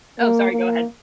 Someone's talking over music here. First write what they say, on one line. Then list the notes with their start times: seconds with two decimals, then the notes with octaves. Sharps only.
Oh, sorry, go ahead.
0.20 A#3
0.52 A#3